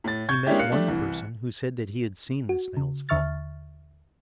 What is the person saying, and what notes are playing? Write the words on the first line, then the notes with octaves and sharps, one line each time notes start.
He met one person who said that he had seen the snails fall.
A2 A6
C#6 G6 G#6
G#3 A#3 C#4 D4 E4 G4
A#3 F5 F#6 C#7
G3 A3 D4
C2 E3
F#4
C#3
D#2 D3 E5 C#6 F6 A6